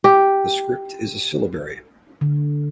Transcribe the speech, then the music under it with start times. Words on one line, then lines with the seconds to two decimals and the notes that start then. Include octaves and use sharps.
The script is a syllabary.
0.04 G4
2.21 D3